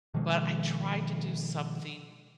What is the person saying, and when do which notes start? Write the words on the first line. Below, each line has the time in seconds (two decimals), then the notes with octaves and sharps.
but I try to do something
0.14 B2 D#3 F3 G#3